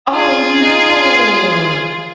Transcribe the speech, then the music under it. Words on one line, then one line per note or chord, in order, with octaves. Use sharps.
Oh, no.
F4 G#4